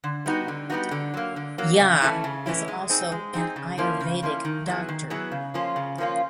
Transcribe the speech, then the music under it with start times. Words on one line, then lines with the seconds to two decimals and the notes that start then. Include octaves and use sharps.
Jha is also an Ayurvedic Doctor.
0.04 D3
0.26 G3 B3 D#4 F#4
0.48 D3
0.70 G3 B3 D#4 F#4
0.91 D3
1.14 F#3 A#3
1.36 D3
1.58 F#3 A#3
1.80 C#3
2.02 E3 A3 C#4 E4
2.24 C#3
2.46 E3 A3 C#4 E4
2.68 G#3
2.90 C4 D#4 G#4
3.12 G#3
3.33 C4 D#4 G#4
3.56 C#3
3.78 F3 A#3 C#4 E4
4.01 C#3
4.22 F3 A#3 C#4 E4
4.45 D#3
4.66 F#3 B3 E4 G#4
4.88 D#3
5.10 F#3 B3 E4 G#4
5.32 C#3
5.54 F3 A#3 C#4 F4
5.76 C#3
5.98 F3 A#3 C#4 F4